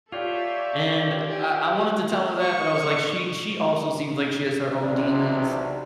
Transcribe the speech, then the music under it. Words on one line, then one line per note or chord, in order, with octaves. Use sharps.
And I I wanted to tell her that but I was like, she she also seems like she has her own demons,
F4 G4 A4 C#5 D5 E5
G4 G#5
C#6 C#7
B1 E2 C3 D4